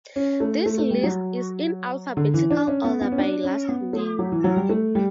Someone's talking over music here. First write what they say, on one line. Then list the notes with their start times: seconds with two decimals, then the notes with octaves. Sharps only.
This list is in alphabetical order by last name.
0.16 C#4
0.40 A3
0.66 A3
0.79 A3
0.90 G3
1.03 F#3
2.17 D3
2.34 E3
2.51 D4
2.68 C#4
2.84 B3
3.01 B3
3.12 C#4
3.18 D4
3.44 C#4
3.69 B3
3.93 A3
4.19 F#3
4.32 E3
4.44 F#3
4.57 G3
4.69 A3
4.95 G3